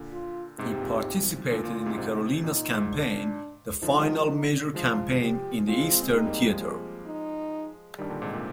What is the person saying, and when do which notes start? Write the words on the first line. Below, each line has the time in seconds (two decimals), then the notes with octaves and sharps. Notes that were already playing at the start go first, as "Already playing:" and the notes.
He participated in the Carolinas Campaign, the final major campaign in the Eastern Theater.
Already playing: A#2 D3
0.13 F4
0.58 G#2 C3 G4
0.70 G#2 C3
0.82 A#2
0.94 G#2 C3
1.51 A#2 D3 F4
1.62 A#2 D3
1.86 G#2 C3
1.98 G#2 C3
2.43 A#2 D#4
2.59 A#2
2.74 G#2
2.91 D4
3.82 D3 F3 D#4
3.98 F3 G#3
4.75 F3 G#3 F4
5.21 G4
5.67 G#3 C4 F4
5.79 G#3 C4
5.91 G#3 C4
6.02 G#3 C4
6.14 G#3 C4 D#4
6.26 G3 A#3
6.48 F3 G#3
6.61 F3 G#3
7.06 D#4
7.99 D#3 G3 D4
8.10 A#2 D3
8.22 G#2 C3
8.34 A#2